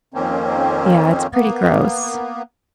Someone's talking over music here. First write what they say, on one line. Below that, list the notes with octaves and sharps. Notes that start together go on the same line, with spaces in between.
Yeah, it's pretty gross.
F2 D#3 A#3 C4 C#4
A#3 B3